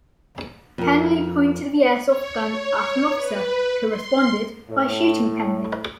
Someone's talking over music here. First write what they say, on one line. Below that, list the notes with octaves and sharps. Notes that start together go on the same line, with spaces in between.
Penley pointed the Airsoft gun at an officer, who responded by shooting Penley.
F2 A#4
C#5
C#5
B4
C6
A2